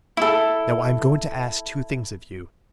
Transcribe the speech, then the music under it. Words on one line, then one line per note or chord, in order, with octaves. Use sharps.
"Now I am going to ask two things of you."
E4 A4